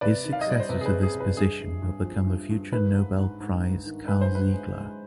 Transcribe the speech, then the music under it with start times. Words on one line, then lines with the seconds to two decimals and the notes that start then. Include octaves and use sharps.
His successor to this position will become the future Nobel Prize Karl Ziegler.
0.01 C3 B4 D5
0.24 D#3
0.33 F5
0.41 D#5
0.47 G3 D5
0.60 C5
0.69 C3 B4
0.81 G#4
0.86 B4
0.92 C3
1.03 G#4
1.14 C3
1.20 B4
1.37 G2 G#4
1.60 G2
1.82 G2
2.05 F3
2.27 G2
2.50 G2
2.72 D#3 B4
2.95 G#2
3.18 G#2
3.40 G#2
3.63 G#2
3.86 D#3
4.08 G#3 B4
4.21 C5
4.31 D3 B4
4.53 G#3
4.76 G#3